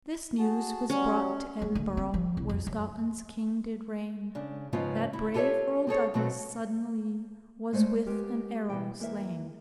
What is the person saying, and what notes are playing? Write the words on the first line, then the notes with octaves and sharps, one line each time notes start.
This newes was brought to Eddenborrow, Where Scotlands king did raigne, That brave Erle Douglas suddenlye Was with an arrow slaine.
F#4 G#4 A5
F#3 G3 C#4
G#3
D2
C4
F3
C2
F2
F#2
C#3 D4
G#2 C#3 F3 B3 C#4 F4
E4
F4 G4 A4 A#4 C#5 E5
C4 G#4 A4 C#5
B2 F#3 A3 C4
G#3 A3 C5 D5
G#3 B3 G4 A#4
B2 E3 G5
E2 A#3 E4 E5